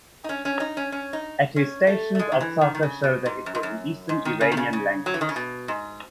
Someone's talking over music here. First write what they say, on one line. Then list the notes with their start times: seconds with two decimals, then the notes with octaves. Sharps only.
Attestations of Saka show that it was an Eastern Iranian language.
0.24 D#4
0.29 C#4
0.45 C#4
0.60 D#4
0.77 C#4
0.92 C#4
1.13 D#4
1.56 C#4
1.87 A3
2.15 A3
2.19 G#3
2.32 D#3
2.41 E3
2.61 D#3
2.75 D#3
2.83 C#3
3.04 B2
3.26 G#2
3.46 F#2
3.55 G#2
3.63 F#2
4.09 G#2
4.25 D#3
4.41 C#3
4.52 D#3
4.57 C#3
4.73 C#3
5.06 F#3
5.14 E3
5.21 D#3
5.29 C#3
5.36 B2
5.68 G#2